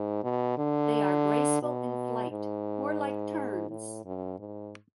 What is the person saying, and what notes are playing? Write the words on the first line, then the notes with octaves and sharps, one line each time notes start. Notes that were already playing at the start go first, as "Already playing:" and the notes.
They are graceful in flight, more like terns.
Already playing: G#2
B2
D3
B2
G#2
A2
F#2
G#2